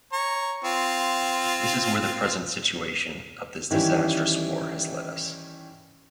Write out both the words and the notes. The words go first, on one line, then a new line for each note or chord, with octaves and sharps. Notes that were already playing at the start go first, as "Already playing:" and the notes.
This is where the present situation of this disastrous war has led us.
C#5 A#5
C4 F4
D#3 E3 G3 C#4 E4